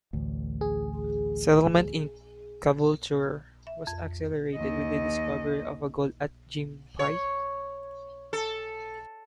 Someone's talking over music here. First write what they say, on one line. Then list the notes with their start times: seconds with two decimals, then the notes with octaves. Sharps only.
Settlement in Caboolture was accelerated with the discovery of gold at Gympie.
0.13 A1 D2
0.61 G#4
3.67 E5
3.87 F2
4.55 D#2 D#5
6.99 C#5
8.33 A4